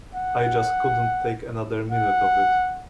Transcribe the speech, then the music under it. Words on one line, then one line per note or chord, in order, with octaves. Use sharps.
I just couldn't take another minute of it.
F#5
F#5